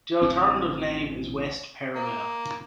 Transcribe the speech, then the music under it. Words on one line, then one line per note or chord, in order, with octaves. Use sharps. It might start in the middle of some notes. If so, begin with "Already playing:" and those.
The alternative name is "West Perivale".
A1 D2 C4
A#3